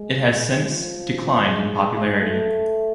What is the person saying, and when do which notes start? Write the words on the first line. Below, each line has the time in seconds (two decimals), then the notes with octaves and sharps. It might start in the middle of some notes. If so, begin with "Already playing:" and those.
It has since declined in popularity.
Already playing: G#3
0.31 G#3
0.69 F3
1.44 G#3
2.20 A3